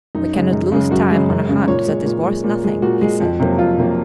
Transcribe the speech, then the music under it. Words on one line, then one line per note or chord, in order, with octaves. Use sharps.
"We cannot lose time on a hunt that is worth nothing," he said.
F#2 D#4
C#3 G#3
F#2
C#3 G#3
F#2 F#4
C#3 G#3
F#2
C#3 G#3
A#2 C#5
G#3
A#2
G#3
A#2
G#3
A#2 F#4
G#3
F2
C3 F#3 A#3
F2 F4
C3 F#3 A#3